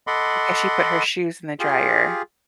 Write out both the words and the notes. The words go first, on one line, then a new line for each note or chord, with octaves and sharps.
because she put her shoes in the dryer.
A4 D#5 F#5 B5 C6 D6
F4 G4 G#4